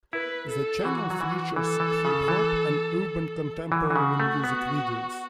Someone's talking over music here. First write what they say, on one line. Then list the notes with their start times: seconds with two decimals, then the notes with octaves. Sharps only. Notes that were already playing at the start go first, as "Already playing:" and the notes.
The channel features hip-hop and urban contemporary music videos.
0.13 E4 B4
0.49 A4
0.84 E3 F#4
1.10 F#3
1.20 E3
1.56 E3 A4
1.80 E3
2.05 C#3
2.28 E3
3.71 E3 F#4
3.90 E3
3.96 C#3
4.20 A3
4.44 B3